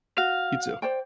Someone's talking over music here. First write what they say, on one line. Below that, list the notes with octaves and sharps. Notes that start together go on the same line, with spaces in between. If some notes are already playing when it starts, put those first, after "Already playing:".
You, too.
F#4 F5
C5 D5 G5